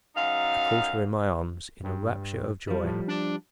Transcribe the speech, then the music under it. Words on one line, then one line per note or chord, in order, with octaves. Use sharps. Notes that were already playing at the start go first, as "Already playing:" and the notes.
I caught her in my arms in a rapture of joy.
F#2 D#4 F5
G2
F3 G3
A2
D4